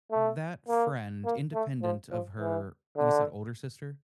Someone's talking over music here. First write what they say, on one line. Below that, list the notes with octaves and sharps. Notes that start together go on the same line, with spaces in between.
that friend, independent of her, you said older sister?
A3
A#3
A#3
A3
F3
F3
E3
D3